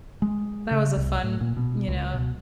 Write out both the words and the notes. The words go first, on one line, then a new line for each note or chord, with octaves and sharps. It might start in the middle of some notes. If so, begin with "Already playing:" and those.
that was a fun, you know,
G#3
C#3
C2
A2
A#2
B2
C#2
B2